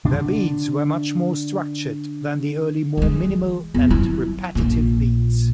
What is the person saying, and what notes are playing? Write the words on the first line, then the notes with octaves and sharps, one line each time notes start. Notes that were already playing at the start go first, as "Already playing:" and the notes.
Their beats were much more structured than the early more minimal and repetitive beats.
D3 D4
E3 G#3
E2
F#3 E4
A#1 A#2